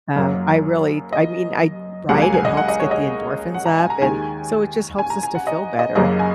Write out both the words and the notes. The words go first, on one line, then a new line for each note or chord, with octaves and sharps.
um, I really I mean, I Right? It helps get the endorphins up, and so it just helps us to feel better.
F#1 F#2 F#3 A#3 A#4
D#5
C#2 C#3 F#3 A#3 F#5
G#5
G#5
D#5
F#5
D#5
C#5
D#5
F#5
A#5
G#5
A#5
D#2 D#3 G#3 G#5
G#5
A#5
G#5
F#5
D#5
D#5
F#1 F#2 C#3 F#3 A#3 D#5
G#5